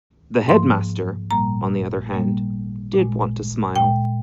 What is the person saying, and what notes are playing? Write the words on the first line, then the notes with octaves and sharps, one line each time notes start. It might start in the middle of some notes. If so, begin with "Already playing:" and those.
The headmaster, on the other hand, did want to smile.
G#2 F3 A#3 C6
A#2 G3 A#3 A#5
A#2 G3 A#3
A#2 G#3
A#2 G#3 G5